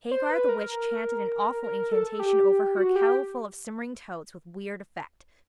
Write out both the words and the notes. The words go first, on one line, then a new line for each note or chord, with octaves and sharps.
Hagar, the witch, chanted an awful incantation over her kettleful of simmering toads, with weird effect.
C5
B4
A#4
A#4
A4
G4
F#4
G4